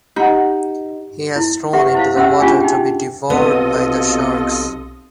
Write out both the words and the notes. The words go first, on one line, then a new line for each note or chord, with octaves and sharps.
He was thrown into the water to be devoured by the sharks.
D#4 G4 F#5
E4
G4 B4 E5 F#5 C#6
E4 C5 F5
C#4 G4 C5 E5 F#5 E6
C#4 D4 F4 G4 G#4 G#5
D#4 G5
B1 C3 B3 F4 A4 D#5 D#6